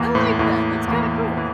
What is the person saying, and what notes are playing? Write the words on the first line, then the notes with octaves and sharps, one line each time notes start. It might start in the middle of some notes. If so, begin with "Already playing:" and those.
I like that, that's kinda cool.
Already playing: E2 E3 A#3
A2
E2 A2 E3 A#3
E2 E3 A#3
E3